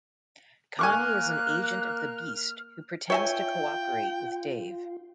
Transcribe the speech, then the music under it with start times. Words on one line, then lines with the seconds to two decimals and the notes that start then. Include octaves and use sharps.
Connie is an agent of the Beast who pretends to cooperate with Dave.
0.79 A#3 G#5 C#6 D6 F6 F#6
3.10 F4 C#5 E5 G5 G#5